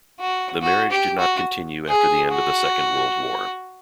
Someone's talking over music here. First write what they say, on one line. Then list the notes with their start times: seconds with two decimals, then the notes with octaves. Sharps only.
The marriage did not continue after the end of the Second World War.
0.19 F#4
0.62 F#4
0.91 G4
1.18 F#4
1.88 G#4
2.30 F#4